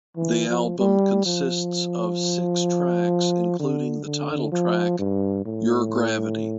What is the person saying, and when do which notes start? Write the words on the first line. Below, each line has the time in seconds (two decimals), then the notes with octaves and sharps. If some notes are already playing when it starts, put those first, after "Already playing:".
The album consists of six tracks including the title track "Your Gravity".
0.17 E3
0.49 F3
0.79 G3
1.26 F3
3.60 D3
4.05 D3
4.52 F3
4.99 G2
5.46 A2